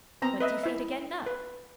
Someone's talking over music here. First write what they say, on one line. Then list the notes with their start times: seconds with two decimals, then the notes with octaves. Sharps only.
"What do you say to gettin' up?"
0.22 B3 C4 A#5
0.40 B4 D#5 E5
0.63 E4 E5
1.26 B4